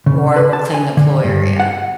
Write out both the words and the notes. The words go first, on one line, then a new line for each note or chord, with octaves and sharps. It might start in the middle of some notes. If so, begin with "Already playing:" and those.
or we'll clean the pool area.
C#3
B4
A5
G#5
D3
G2
F#5